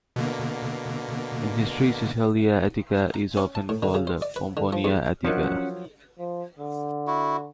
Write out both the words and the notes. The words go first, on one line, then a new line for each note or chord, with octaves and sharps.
In history Caecilia Attica is often called Pomponia Attica.
B2 D3 A#3
A#5
C#4
A5
A2
D3
C#3
C5
D5
B4
D3
F3
E2
F3 F#3 C#4 D4 A#4 D#5 F#5 F#6
F3
D3
E4 F#4